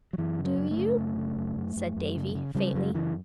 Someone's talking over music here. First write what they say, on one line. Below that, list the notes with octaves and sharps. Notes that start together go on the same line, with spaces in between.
"Do you?" said Davy, faintly.
F#3
F#2 E3
C#3
F#3
F#2
A3
C#3
F#2
C#3
F#2
F#2
F#2
F#2
C#3
C#3
C#3 G3
F#2 F#3
C#3 E3